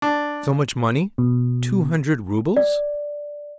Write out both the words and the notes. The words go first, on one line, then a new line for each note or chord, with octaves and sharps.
So much money--two hundred roubles!
D4
B2
D5